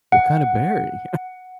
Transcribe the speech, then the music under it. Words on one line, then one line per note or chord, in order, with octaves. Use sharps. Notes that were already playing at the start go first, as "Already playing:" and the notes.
What kind of berry?
F#5